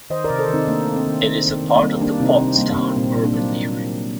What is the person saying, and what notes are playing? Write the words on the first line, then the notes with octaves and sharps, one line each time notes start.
It is a part of the Pottstown urban area.
D#3 C5 D#5
A#4 D5
C3
A4 C5
D#3
C4 D#4
A3 A#3 D4
A3
C4
D#3
D#3
D#3
D#3
A#3
G3 C4
A#3 D4
C3 C4 D#4
A#3 C4
G3 A#3
A#3 C4
A#2 C4
A#2
A#3 D4
F#3